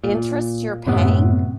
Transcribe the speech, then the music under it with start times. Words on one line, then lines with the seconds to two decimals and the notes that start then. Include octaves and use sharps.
interest you're paying
0.04 A#2
0.86 F#2 A2 C3 B3